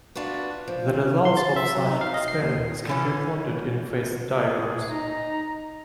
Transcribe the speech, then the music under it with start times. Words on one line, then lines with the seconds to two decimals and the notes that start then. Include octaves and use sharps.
The results of such experiments can be plotted in phase diagrams.
0.15 D4 F4 F#4 B4
0.68 F3
1.25 C6
1.37 A6
1.56 E5
1.75 F#3
1.88 D#4
2.01 F5
2.14 D#5
2.28 C7
2.42 D#2
2.87 D3 E3 C#4
4.33 G#4
4.89 D#4 A#5